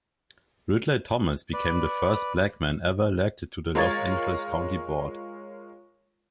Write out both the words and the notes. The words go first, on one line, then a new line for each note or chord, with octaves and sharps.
Ridley-Thomas became the first black man ever elected to the Los Angeles County Board.
B4 D5
G#3 F4 A#4 C#5 G#6 A6